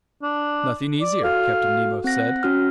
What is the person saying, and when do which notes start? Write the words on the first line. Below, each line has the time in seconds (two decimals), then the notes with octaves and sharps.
"Nothing easier," Captain Nemo said.
0.22 D4
1.01 D5
1.24 F#4 A4 F5
2.04 C4 F#5 A#6
2.43 C#4 F#4 F6